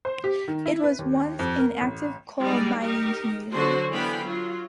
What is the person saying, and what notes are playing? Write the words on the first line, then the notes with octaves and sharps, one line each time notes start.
It was once an active coal mining community.
C5
G4
D#3
E4
B4
D#2
F2
A#4
A1
G3 G#3 D#4 D5
D#4 G4 A#4
D3 F#3 F#4 C5
D3 E3 B3 F5 G5 B5
F#3 F4